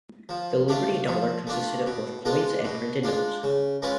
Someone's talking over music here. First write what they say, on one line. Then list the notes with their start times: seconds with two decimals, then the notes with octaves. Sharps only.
The Liberty Dollar consisted of both coins and printed notes.
0.29 F3
0.68 A3 D4 F4
1.07 F3
1.47 A3 D4 F4
1.86 B2
2.25 G#3 D4 F4
2.64 B2
3.03 G#3 D4 F4
3.43 C#3
3.82 G#3 C#4 F4 B4